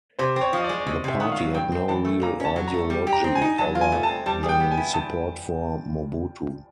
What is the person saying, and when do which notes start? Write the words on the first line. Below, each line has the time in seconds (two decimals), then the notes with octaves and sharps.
The party had no real ideology other than support for Mobutu.
0.19 C3 C5
0.36 C4
0.41 C#5
0.53 F3
0.58 D#5
0.64 D5
0.69 G#3
0.78 D5
0.87 C3 D#5
1.04 C3
1.09 E5
1.20 D#3 F#5
1.32 F5
1.37 F#3
1.54 G2 G5
1.72 C4
1.88 E3 A5
2.05 A3
2.22 A#2 A#5
2.40 C#4 A5
2.56 F#3
2.68 A#5
2.74 A3
2.90 G3
3.07 G4
3.13 A#5
3.24 C4
3.35 G#5
3.42 D#4
3.58 F#3 A5
3.75 F4
3.81 G#5
3.92 A3
4.03 A5
4.09 C4
4.26 G3 A5
4.43 G#4
4.49 G5
4.60 B3
4.71 G#5
4.77 E4
4.93 G#2 A5